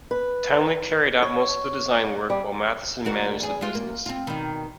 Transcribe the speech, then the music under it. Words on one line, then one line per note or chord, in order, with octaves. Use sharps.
Townley carried out most of the design work while Matheson managed the business.
B4
C#5
G3
D2 F#4 A#4
E2 G#4
G#3 F4
A#3
C4 F4
B2 D#3